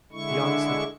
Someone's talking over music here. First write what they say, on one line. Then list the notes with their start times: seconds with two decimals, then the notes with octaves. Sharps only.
He answered.
0.12 D3 G#3 E4 C#6